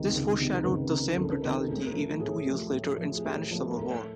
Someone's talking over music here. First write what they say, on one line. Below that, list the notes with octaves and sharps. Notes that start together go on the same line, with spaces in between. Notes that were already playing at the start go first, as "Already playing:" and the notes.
This foreshadowed the same brutality seen two years later in the Spanish Civil War.
Already playing: C#2 C3 D#3 A#4
C#2
C3 D#3
A#4
C#2 B4
C3 D#3 A#4
C#2 A4
B4
C3 D#3 A#4
A4
A2 G#4
A#4
F3 A3 A4
A2 G#4
F3 A3 G4
A2
F3 A3
G#4
A2 G4
F3 A3
A#4
A2 A4